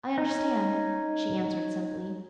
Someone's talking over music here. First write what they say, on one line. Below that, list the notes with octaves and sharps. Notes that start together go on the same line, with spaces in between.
"I understand," she answered simply.
C#4 D#4